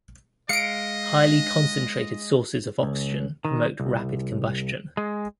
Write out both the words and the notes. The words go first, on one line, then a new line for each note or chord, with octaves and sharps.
Highly concentrated sources of oxygen promote rapid combustion.
G#3 D#5 F5 C#7 D7
C#2
D#3
C2
G#3